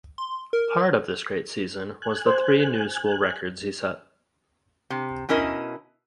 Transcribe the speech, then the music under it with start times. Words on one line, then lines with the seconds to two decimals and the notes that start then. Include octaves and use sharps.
Part of this great season was the three new school records he set.
0.18 C6
0.53 A#4
2.02 G#5 F#6
2.27 C5
4.90 C3
5.29 B2 C#4 E4 A#4 D#5